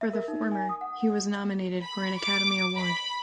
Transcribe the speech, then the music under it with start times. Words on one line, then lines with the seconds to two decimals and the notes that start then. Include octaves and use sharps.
For the former, he was nominated for an Academy Award.
0.01 E5
0.13 A#4
0.28 D#4
0.52 G#5
0.69 D#6
0.81 F#5
1.82 B5
2.19 D6
2.76 B5